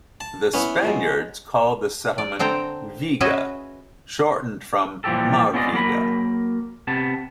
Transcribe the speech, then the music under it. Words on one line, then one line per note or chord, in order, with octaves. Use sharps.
The Spaniards called the settlement "Viga", shortened from "Marviga".
A5
B3 C#4 E4
F3 F#3 G#3
D5
D3 C4 A4 G5 A#5
C#4 F#4 G#4 B4 D#5 E5
A#2 E3 F3 G3 G4 A4
B3 C#4 F4 G#4 D5 D#5
F#3 A#3 A#4 B5
C3 B3 A5